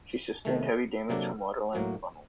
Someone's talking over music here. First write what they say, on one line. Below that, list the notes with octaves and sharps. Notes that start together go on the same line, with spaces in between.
She sustained heavy damage from waterline to funnel.
C3 D#3 A3
C3 F#3 A#3 D4 A4
A2 F#3 A#3 F#4